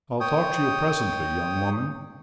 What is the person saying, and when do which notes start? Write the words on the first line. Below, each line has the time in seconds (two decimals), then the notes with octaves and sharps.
I'll talk to you presently, young woman.
0.20 C#5 G5 D#6